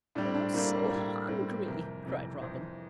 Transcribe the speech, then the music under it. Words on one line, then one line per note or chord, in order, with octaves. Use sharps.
"I'm so hungry," cried Robin.
A2 G3 D4
C4
D4
A2 G3 A#3
A#3
A2 G3
A2 G3 C4
F2 C3 E3 A#4
F2 C3 E3
F2 C3 E3 C5